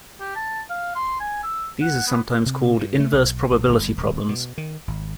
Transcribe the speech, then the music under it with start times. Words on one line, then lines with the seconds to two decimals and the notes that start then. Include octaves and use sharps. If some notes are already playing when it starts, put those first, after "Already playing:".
These are sometimes called "inverse probability" problems.
0.20 G4
0.35 A5
0.70 F5
0.95 C6
1.20 G#5
1.43 E6
1.82 F#5
2.07 B3
2.46 C3
2.79 G2
3.00 A3
3.13 B1
3.52 A#1
3.69 G1
3.97 D#1
4.29 B2
4.58 D#3
4.88 G#1